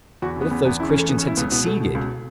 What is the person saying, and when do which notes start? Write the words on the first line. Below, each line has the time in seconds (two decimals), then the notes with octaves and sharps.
What if those Christians had succeeded!...
0.22 E2 F#4
0.36 C#3 B3
0.51 E2 B3
0.65 E2 B3
0.80 C#3 E4
0.89 C#4
0.94 E3 A3
1.08 C#3 B3
1.18 C#4
1.23 C#3 E4
1.37 C#2 B3
1.52 B2 B3
1.66 B2 A3
1.81 B2
1.95 C#2